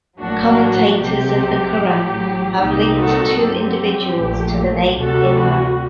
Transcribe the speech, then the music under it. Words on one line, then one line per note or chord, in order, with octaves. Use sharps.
Commentators of the Quran have linked two individuals to the name Imran.
A1 A2 F#3 A#3 D4 F#4
C2 C3 F#3 G4
A1 A2 F#3
C2 A#2 G3 C4 D#4 G4
F#4 A4
G2 F#3 C4 G4
A#1 A#2 A3
D2 C3 G3 F#4 A4
F#4